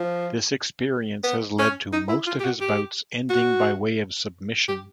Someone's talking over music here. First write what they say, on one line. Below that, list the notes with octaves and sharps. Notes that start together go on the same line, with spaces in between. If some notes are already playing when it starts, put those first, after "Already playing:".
This experience has led to most of his bouts ending by way of submission.
Already playing: F3
B3
C#4
D#4
E4
F4
G4
F#4
G4
F#4
G4